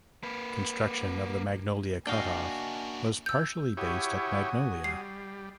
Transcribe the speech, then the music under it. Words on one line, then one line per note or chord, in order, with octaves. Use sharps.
Construction of the Magnolia Cutoff was partially based at Magnolia.
A#3 B4
A#3 D4 E4 F#4 D#5 F5 G5 G#5
E6 G6
E4 F#4 G4 C#5 G#5 D#6
G3 C7